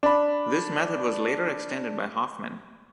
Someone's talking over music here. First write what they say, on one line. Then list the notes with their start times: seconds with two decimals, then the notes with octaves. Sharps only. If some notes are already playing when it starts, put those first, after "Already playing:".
This method was later extended by Hoffman.
0.03 D4 B5